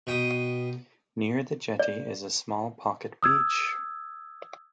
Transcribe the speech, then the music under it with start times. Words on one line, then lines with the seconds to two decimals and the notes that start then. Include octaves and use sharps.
Near the jetty is a small pocket beach.
0.07 B2 G5 D#6
1.79 D5
3.23 D#6 E6 G#6